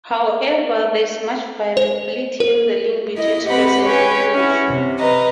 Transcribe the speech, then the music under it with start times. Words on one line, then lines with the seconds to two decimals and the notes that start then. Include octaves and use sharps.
However, there is much variability in the link between stress and illness.
1.77 C5
2.40 A#4
3.16 E4 D#5
3.46 C4 G4 B4 F#5 B5
3.82 C#4 B4 C#5 G5 G#5
4.34 C#4 E4 F#4
4.67 C3
4.99 B4 D#5 A#5